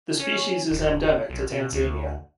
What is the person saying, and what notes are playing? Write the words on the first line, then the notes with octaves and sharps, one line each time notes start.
The species is endemic to Tanzania.
C#4
D#1
B1
B2
D2